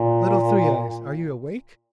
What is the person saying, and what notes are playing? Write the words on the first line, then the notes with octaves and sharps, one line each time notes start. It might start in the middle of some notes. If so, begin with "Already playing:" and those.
'Little Three-eyes, are you awake?
Already playing: A#2